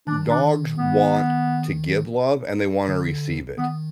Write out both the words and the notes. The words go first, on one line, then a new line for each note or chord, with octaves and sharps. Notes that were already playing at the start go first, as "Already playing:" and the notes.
dogs want to give love, and they wanna receive it
D#3 D4
D4
B3
D3
D#3 B3